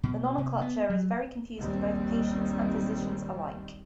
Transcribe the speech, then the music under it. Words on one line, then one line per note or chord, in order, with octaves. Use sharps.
The nomenclature is very confusing to both patients and physicians alike.
B2
C3
B3
F#3
A#1 D#2 D#3 G3 C4